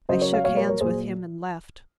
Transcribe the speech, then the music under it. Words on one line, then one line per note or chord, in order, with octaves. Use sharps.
I shook hands with him and left.
C#3 F#3 C5 D#5
A#4 C#5
C#5 F5
A#2 F#3 C#5 F5
A#4 C#5
A#4 C#5
A#2 F#3 G#4 C5